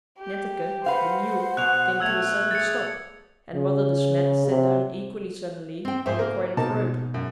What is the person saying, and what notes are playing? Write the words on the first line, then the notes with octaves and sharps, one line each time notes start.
Netteke, the mule, came to a sudden stop, and Mother De Smet sat down equally suddenly on a coil of rope.
G4
B4 C5 F5 F#5
B2 F#6 F7
A3 E6 G#6 F7
G#4 A6 C#7
C#3
C3
C4 G5
G#2 G#4 C5 E5
A#3 A#4
B2 A#3 D#4 A5
F#2